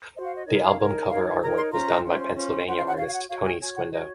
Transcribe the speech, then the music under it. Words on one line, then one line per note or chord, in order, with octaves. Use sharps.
The album cover artwork was done by Pennsylvania artist Tony Squindo.
F#4 C5 D#5
F5
D#5
D#4 A#4 C#5 D#5
F5
D#4 A#4 C#5
D#4 A#4 C#5 F5
D#4 A#4 C#5 A#5
C6
C#4 F4 C5 A#5
C#4 F4 C5
C#4 F4 C5
C#4 F4 C5 F#5
F5
F#5
F#4 C#5 F5
F5
F#5
F#4 C#5 F5
G#5
F#4 C#5 G#5
F#5
F#4 C#5 D#5